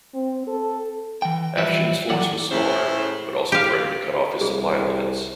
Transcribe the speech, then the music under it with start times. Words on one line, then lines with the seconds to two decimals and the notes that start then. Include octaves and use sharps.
Afshin's force was smaller, but also threatened to cut off his supply lines.
0.14 C4
0.47 A4
1.22 E3 G5
1.57 E3 F3 G3 B4 E5
2.09 D#2 E3 F#3 D5 F#5
2.50 A2 C#3 A3 C#4 E4 C5
3.52 G4 F5
4.41 C2 G#4